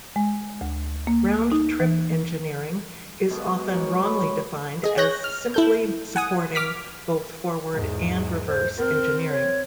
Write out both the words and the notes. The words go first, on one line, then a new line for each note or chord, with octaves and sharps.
Round-trip engineering is often wrongly defined as simply supporting both forward and reverse engineering.
G#3
D2
A#3
D#4
E3
G#2 B2
A#4 C#5
C#5 B5
G#4 D#5
C#5 F#6 G6 A#6
F6
E4 A4 G6
F#5 G#5 D#6
D6 F6 B6
E2 G#2
C5
C4 A#4
C#5